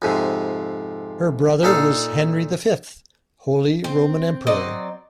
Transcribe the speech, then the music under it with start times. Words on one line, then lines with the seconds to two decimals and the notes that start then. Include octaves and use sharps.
Her brother was Henry the Fifth, Holy Roman Emperor.
0.02 F2 G#2 C3
1.63 A#2 D#4 A4 F5
3.84 C4
4.47 F#3 C4 D5 D#5